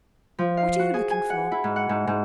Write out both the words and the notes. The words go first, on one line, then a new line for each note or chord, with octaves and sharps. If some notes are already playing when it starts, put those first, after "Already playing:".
What are you looking for?
F3
F5
F#4
G#4
G#5
F#5
E4
G#2
F#5
G#2
G#2